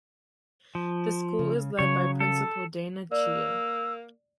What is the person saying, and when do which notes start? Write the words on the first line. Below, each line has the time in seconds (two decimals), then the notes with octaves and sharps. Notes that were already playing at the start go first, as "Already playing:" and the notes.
The school is led by Principal Dayna Chia.
0.75 F3
1.39 C#3
1.79 C#3 F#3 C#5
2.20 A4
3.12 A#3 D5 E6